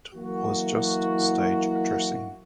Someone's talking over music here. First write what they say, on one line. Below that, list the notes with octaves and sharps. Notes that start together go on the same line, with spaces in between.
I was just stage dressing.
E3 F#3 A#3 E4 F#4